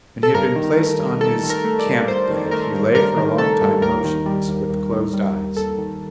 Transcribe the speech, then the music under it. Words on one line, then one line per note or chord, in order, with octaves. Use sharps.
When he had been placed on his camp bed he lay for a long time motionless with closed eyes.
A4
G2 A#4
D#3
A3
G2
G2 A4
D#3
A#4
A3
D5
G2
G2 C5
D#3
A3 A#4
G2
G2 A#4
D#3
A3 A4
G2
D#2 A#4
D#3
G3
D#2
D#2
D#3
G3
D#2
D#2 A4
D#3